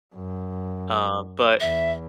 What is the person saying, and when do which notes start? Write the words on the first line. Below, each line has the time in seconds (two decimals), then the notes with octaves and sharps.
Uh, but
0.15 F#2
1.60 E2 E5